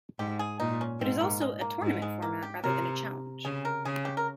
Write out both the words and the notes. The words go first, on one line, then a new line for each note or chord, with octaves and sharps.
It is also a tournament format, rather than a challenge.
G#2 G4
G#4
A#2 D#4
C#4
G#2 C4
A#3
G#3
A#3
G#2
G#3
A#3
G4
C3 A#4
C#3 G#4
A#4
C#3 G#4
G4
A#4